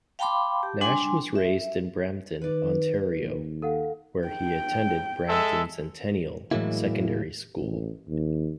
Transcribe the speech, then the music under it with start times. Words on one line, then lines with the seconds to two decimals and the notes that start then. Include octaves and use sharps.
Nash was raised in Brampton, Ontario, where he attended Brampton Centennial Secondary School.
0.19 F5 G5 A5 B5 C6 D6
0.63 G4
0.81 G3 D4 G#5 C6
1.36 E5
2.42 D#3 B4 D5
3.20 D#2
3.62 A4 F5 F#5
4.28 G5
5.28 G#3 A4 E5
6.51 A2 E3 F#3 G#3 A#3 E4
7.59 A1
8.09 D#2